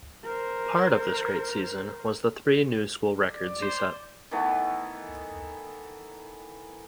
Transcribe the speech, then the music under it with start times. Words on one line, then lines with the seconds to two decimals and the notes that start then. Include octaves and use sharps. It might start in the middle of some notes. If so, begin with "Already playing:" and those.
Part of this great season was the three new school records he set.
0.23 A#4 C5
3.32 D5
3.62 C5
4.31 D#3 E3 A3 B3